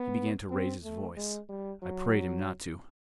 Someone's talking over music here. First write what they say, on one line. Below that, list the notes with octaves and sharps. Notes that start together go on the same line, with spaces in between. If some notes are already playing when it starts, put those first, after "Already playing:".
He began to raise his voice--I prayed him not to.
Already playing: B3
C4
A3
G#3
G3
F#3